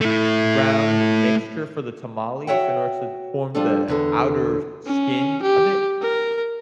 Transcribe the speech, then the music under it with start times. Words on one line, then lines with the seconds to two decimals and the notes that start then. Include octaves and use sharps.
ground mixture for the tamales in order to form the outer skin of it.
0.01 A3 E4
2.47 F#4 G#4 C#5 E5 F#5 G5
3.55 F3 G3 D4 A4
3.88 E2 D3 A4
4.86 C#4
5.43 G4
6.02 A#4